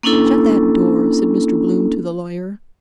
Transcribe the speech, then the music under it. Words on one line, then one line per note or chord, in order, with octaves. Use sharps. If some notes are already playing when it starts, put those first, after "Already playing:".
"Shut that door," said Mr. Bloom to the lawyer.
A#3 C#4 D4 E4 A4